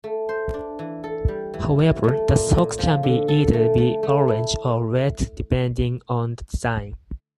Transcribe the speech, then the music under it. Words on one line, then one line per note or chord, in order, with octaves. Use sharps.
However the socks can be either be orange or red depending on the design.
A3
C5
D4
E3
A4
G3
E3
E3
A3
A#2
A#2
F3
D3
A4
A3
A3
A3
E4